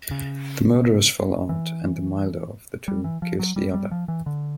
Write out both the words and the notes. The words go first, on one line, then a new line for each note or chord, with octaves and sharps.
The murderers fall out and the "milder" of the two kills the other.
C#3
E3
G3
E3
F3
F#3
G3
G3
F3
E3
D3